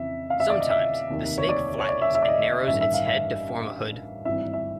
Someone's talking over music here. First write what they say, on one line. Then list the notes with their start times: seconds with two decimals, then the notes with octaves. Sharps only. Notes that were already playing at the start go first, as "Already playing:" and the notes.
Sometimes, the snake flattens and narrows its head to form a hood.
Already playing: F2 C#3 E3 E5
0.30 F5
0.40 E5
0.50 D5
0.60 D#5
0.70 E5
1.09 F1 D#2 D#3
1.38 C#5
1.49 D5
1.79 C#5
1.89 D5
2.02 E5
2.15 E5
2.22 D5
2.28 D#5
2.67 A1 G2 D#3 E5
2.81 E5
2.94 F5
3.07 E5
4.25 G#1 G2 E3 E5
4.53 E5